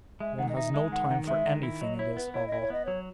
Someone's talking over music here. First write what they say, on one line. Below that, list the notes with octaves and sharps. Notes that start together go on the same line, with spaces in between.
"One has no time for anything in this hovel!"
G#3 E5
D#3 F#5
D#5
D#4 E5
G#3 E5
D#3 F#5
D#3
G#3 E5
D#3
E4
F#3 D#5
E4 C#5
B3 B4
E4 C#5
E4 D#5
C#5
B3 D#5
F#3 C#5